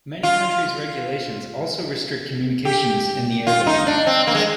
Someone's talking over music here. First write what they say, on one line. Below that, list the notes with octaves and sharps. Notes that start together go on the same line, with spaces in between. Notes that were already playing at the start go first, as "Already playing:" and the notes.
Many countries' regulations also restrict communications in the airband.
F4
G4
F4
D#4
D4
C4
A#3
G#3